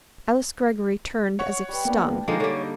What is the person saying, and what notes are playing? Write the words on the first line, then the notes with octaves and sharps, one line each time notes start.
Alice Greggory turned as if stung.
C#5 F#5 C#6
G3 B4
A#3 B3 D4 G5
D3 F3 G#3 A#3 D#4 D#5
D3 G3 C#5